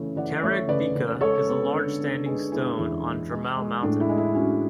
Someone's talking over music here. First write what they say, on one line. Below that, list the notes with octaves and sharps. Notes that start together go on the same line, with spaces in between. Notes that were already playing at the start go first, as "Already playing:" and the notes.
Carreg Bica is a large standing stone on Drummau Mountain.
Already playing: C#3 E3 A3 C#5
E3 D5 F#5
A3 C#5 E5
C#3 B4 D5
C#3
G#3 A4 C#5
B3
D3
B3
G#3 G#4 B4
B3 E4 G#4
E2 E4
G#3
G#3
G#3
A2 D4
E4
G#3
E4
C#4 D4 F#4